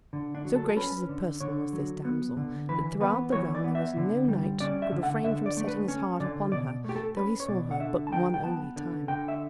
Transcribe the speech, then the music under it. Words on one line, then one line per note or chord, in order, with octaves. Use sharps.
So gracious of person was this damsel, that throughout the realm there was no knight could refrain from setting his heart upon her, though he saw her but one only time.
D3
D4
F#3
A4
A4
C#4 B4
D3
D3 C#5
F#3
B3
D3
E3 B4
B3 B4
E3 C#5
D5
B3
E5
D3
G3
C#4 D5
E5
D3
F#5
D3 E5
D5
A3
B4
C#4
D3 D5
B2 D5
A3 G4
A4
C#4 B4
C#5
B2 D5
F#5
D3 E5
A5
F#3 G5
G5
B3 A5
D3
D3 G5
E5